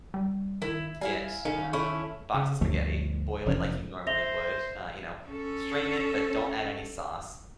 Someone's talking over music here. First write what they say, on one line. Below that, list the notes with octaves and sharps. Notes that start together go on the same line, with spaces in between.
get, uh, box of spaghetti, boil it like you normally would, uh, you know, strain it, but don't add any sauce,
G3
D#3 E4
G3 E4 F5 G#5
A2 D#3 C#4 F5
A3 C#4 E4
C#3
G1 D2 F3 A3
F1 E2 F3 C#4
C5 E5 A#6 F7 G7
C#4 A4